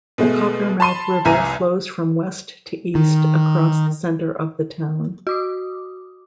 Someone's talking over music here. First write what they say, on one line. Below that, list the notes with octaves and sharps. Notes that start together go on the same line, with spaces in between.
The Cockermouth River flows from west to east across the center of the town.
B2 G#3 A3
A5 B5 C6 D#7
F1 C2 E5 G#5 A#5 D#7
D#3
F#4 D6 D#6